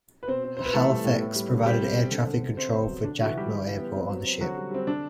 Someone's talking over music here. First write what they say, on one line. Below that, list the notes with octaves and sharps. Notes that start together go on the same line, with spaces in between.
"Halifax" provided air traffic control for Jacmel Airport on the ship.
B4
B2 C4 C5
C4
C4 C5
B4
E3 A3 A4
G3
A2
B3
G3
D3
G3 C4 G4
C3
C4
D3
D3
D3
C3 C4 C5
B3
F#3
D3 D4
D3 F#4
E3 E4
D3 G3 G4
E3
E3
B3
C4
F#3
C4
D3 F#3 F#4
G3
G3 C4
D3 D4